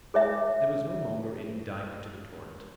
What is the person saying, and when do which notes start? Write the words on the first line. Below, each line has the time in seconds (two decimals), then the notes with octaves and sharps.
There was no longer any dike to the torrent.
0.14 G#4 C#5 E5